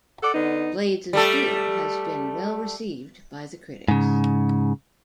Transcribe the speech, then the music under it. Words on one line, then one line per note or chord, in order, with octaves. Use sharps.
Blades of Steel has been well received by critics.
A4 D5 F#5
D3 B3 D#4
G3 A3 A4
G#2 C#3